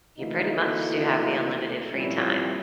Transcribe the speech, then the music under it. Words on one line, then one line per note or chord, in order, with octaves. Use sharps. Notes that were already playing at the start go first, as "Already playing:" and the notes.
you pretty much do have the unlimited free time
D2 E3 A3 A#3 D#4 E4
A#2 F3 G3 C4 C#4 E4